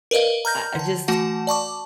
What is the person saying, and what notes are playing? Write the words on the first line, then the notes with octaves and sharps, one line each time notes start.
I I just
A#4 B4 D5 D#5 F5
A#5 F6 G6 A#6
D3 A5
E3 A3 F#4 F#5 A5
D5 A5 C#6 D6